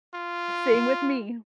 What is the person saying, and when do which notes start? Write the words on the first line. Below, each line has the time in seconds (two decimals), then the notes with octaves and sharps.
Same with me.
0.14 F4